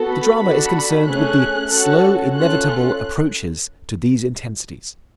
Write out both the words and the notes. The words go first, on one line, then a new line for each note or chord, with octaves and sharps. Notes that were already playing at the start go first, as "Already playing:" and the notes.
The drama is concerned with the slow, inevitable approaches to these intensities.
Already playing: B3 F#4 A4
B5
D4 F#4 A4
A3 C#4 G#4 F#6
C#4 F#4 A4
C#4 F4 A4 F#6
F#6